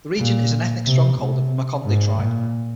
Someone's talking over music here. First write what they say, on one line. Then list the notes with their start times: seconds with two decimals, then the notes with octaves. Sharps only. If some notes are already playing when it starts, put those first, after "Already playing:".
The region is an ethnic stronghold of the Makonde tribe.
0.19 A#2
0.86 C3
1.19 C3
1.86 G#2
2.19 A#2